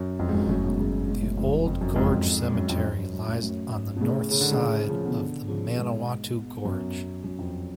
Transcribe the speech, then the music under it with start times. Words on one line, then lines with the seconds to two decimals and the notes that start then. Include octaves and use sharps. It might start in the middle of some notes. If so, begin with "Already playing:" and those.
The Old Gorge Cemetery lies on the north side of the Manawatu Gorge.
Already playing: F#2
0.19 F2
0.29 G#2
0.35 F#2
0.49 F#2 A2
0.64 G#2 B2
0.79 A2 C#3
1.08 G#2 B2
1.22 F#2 A2
1.37 F2 G#2
1.67 F2
1.81 F#2
1.96 F2 G#2
2.46 G#2
2.55 F#2
2.69 F2
2.99 F#2
3.13 F#2
3.28 F#2 A2
3.42 F#2 A2
3.96 B2
4.01 A2 C#3
4.31 C#3
4.41 D3
4.51 A2 C#3
4.89 C#3 F3
5.04 B2 D3
5.48 C#3 F3
5.77 G#2 B2
6.65 F#2
7.24 F#2
7.39 F2